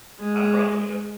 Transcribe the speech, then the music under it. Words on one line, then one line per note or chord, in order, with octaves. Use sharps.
I'm probably gonna.
G#3